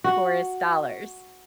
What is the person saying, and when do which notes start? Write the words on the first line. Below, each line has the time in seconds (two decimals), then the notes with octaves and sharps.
tourist dollars.
0.04 F#4